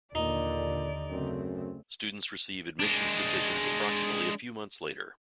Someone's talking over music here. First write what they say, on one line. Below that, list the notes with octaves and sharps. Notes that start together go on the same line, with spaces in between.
Students receive admissions decisions approximately a few months later.
D#2 A#2 D3 D#4 D5
F#2 C#3 A3 C4
G#3 D4